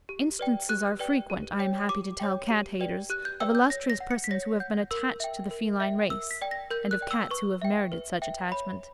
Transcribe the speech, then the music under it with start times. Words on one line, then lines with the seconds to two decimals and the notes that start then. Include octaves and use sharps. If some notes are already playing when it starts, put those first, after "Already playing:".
Instances are frequent, I am happy to tell Cat-haters, of illustrious persons who have been attached to the feline race, and of Cats who have merited such attachment.
0.09 G4
0.39 B4 D5 G5
0.69 G4 F#6
0.99 B4 D5 G5
1.30 G4
1.59 C#5 G5
1.89 G4 D6
2.20 C#5 G5
2.50 G4
2.80 B4 D5 G5
3.10 G4 F#6
3.25 G6
3.40 B4 D5 G5 E6
3.55 G6
3.70 C#5 A#6
3.90 A#6
4.00 F#5
4.11 C#7
4.24 B6
4.31 C#5 A#6
4.60 F#5 G6
4.91 A#4 E6
5.20 E5 G5
5.51 A#4
5.80 E5 G5
6.10 A#4 E6
6.31 B6
6.42 D5 G5
6.51 A#6
6.71 A#4 G6
6.91 F#6
7.01 D5 G5
7.11 E6
7.31 B4 C#6
7.62 E5 G5
7.92 B4
8.22 E5 G5
8.52 C#5 B5